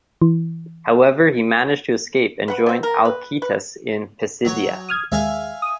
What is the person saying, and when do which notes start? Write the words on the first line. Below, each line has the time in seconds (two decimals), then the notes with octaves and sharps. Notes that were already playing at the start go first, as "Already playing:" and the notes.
However, he managed to escape and join Alcetas in Pisidia.
0.22 E3
2.48 B4 F#5 B5
2.66 B2 C4
2.83 A#4
3.05 B4
3.42 B4
4.45 F#3 C#5
4.89 D#6 F6 G#6
5.12 D#2 G#3 E5 F5 G#5
5.62 D#6